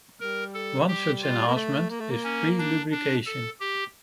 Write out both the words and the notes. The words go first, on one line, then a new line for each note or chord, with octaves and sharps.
One such enhancement is pre-lubrication.
G3 A#4
A4
G4
F4
A#3
A3
A#3
A3
A#3
C#4
D4
D4
A4
G4